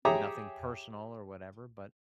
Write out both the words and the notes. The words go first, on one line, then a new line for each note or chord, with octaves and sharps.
"nothing personal or whatever, but
G4 G#4 C#5 E5 A#5 D6